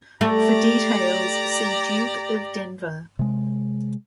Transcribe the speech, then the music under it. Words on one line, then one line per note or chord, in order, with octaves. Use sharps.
For details, see Duke of Denver.
A3 G4 D5 A#5
C3 G#3